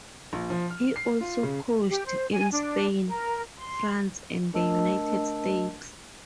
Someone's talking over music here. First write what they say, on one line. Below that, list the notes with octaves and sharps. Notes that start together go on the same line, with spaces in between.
He also coached in Spain, France, and the United States.
A#1
F3
F6
C7
F4
C#3
G4
C5
G#5
D4
A#4
C6
A3 D4 A#4 D#5 A5 E6